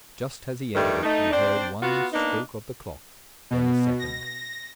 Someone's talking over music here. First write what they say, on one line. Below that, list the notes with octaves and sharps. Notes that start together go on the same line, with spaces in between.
Just as he entered it he heard one stroke of the clock, then a second.
G2 D#3 G3 A3
A3 D#4
C4 D4 C5 D5
B3 F4 F#4
A#3 B3 D4 D#4 D#5
B2
A#6